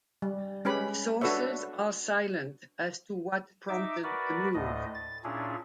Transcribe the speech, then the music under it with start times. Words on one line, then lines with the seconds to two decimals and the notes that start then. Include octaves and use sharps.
Sources are silent as to what prompted the move.
0.22 G3
0.65 G#3 C#4 G4 B4 B5
1.21 D4 F#4 A4 B4 C#5 E5
3.69 D#4 E5 D6
4.04 F#4 A#4 B4 D5
4.54 D2 A2 D#5
4.95 A6
5.24 A#2 C#4 D4 E4 G#4